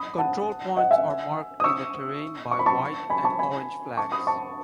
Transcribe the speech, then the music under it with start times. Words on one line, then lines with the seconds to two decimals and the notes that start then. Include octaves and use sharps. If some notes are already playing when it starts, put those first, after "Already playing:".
Control points are marked in the terrain by white and orange "flags".
Already playing: B5 D#6
0.18 F#5 A5
0.77 D#5 F#5
0.91 E5 G#5
1.60 D#6
1.64 C#6 E6
2.51 C#6
2.59 B5
2.66 A5 C#6
3.10 G#5 B5
3.24 A5 C#6
3.39 G#5 B5
3.97 A5 C#6
4.12 B5 D#6
4.27 A5 C#6